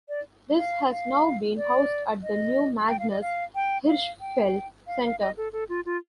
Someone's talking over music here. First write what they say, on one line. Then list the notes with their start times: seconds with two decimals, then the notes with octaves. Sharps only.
This has now been housed at the new Magnus Hirschfeld Center.
0.09 D5
0.57 F5
0.91 F5
1.57 D5
2.23 D#5
2.88 G5
2.99 F5
3.10 D#5
3.21 F5
3.55 G5
3.88 F5
4.21 G5
4.87 F5
5.04 F5
5.20 D#5
5.37 A4
5.53 A4
5.69 F4
5.86 F4